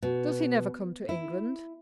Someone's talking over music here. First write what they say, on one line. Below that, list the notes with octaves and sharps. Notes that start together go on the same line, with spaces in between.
Does he never come to England?'
B2
E4